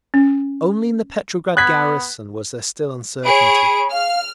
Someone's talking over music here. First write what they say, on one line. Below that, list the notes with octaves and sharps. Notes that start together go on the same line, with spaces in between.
Only in the Petrograd garrison was there still uncertainty.
C#4
B3 F#6 G#6 B6
G#4 C#5 B5 D7
F5 F6